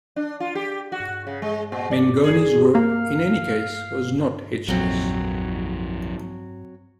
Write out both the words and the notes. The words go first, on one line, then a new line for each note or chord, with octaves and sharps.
Mengoni's work, in any case, was not hitchless.
D4
F4
G4
F#4
C#3
G#3
A#2
D5
G#4
A#3 F5
A#1 F2 F#3 C4